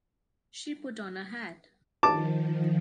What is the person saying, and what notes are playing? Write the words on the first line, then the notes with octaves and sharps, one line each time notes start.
She put on a hat.
D#3 F3 A5 D6